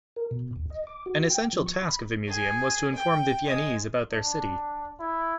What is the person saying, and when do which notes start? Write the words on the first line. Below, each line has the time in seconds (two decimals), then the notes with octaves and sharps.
An essential task of the museum was to inform the Viennese about their city.
0.16 A#4
0.31 B2
0.56 D#2
0.70 D#5
0.87 D6
1.06 F#4
1.30 G5
1.53 F3
1.66 C#6
1.83 B5
2.27 G#4
2.94 G5
3.45 G#3 D#6
4.12 D4
5.00 E4